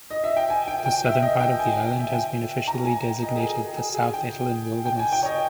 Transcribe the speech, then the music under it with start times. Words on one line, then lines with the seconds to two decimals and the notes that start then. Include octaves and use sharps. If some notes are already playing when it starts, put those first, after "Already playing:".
The southern part of the island has been officially designated the South Etolin Wilderness.
0.10 D#5
0.24 E5
0.36 G5
0.50 G#5
0.68 G5
0.86 G5
1.05 E5
1.22 D#5
1.40 G5
1.59 G#5
1.73 G#5
1.86 G5
1.99 E5
2.13 G#5
2.68 A#5
2.86 G#5
3.04 G5
3.23 D#5
3.30 A#4
3.36 G#4
3.50 G#4
3.77 G#4
3.95 G#4
4.13 G5
4.86 G5
4.99 G#5
5.12 G5
5.23 C#5
5.26 D#5